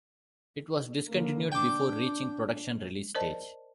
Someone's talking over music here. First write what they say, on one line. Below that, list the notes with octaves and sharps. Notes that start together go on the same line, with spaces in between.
It was discontinued before reaching production release stage.
D3 A#3
D4 G5 D6
A#4 C5 D5 D#5 A5